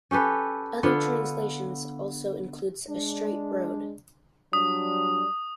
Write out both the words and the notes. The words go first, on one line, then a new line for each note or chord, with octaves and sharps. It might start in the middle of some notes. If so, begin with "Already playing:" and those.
Other translations also includes "a straight road".
C#4 G4 A4 B4
D3 B3 F4
G#3 D4
F#3 G3 D4 D#6